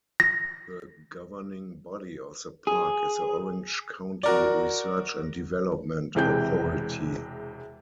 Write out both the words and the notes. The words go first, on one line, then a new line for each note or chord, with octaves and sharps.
The governing body of the Park is the Orange County Research and Development Authority.
A#6
G#4
F#4 A#4 D5
E1 C3 E3 G#3 G5 G6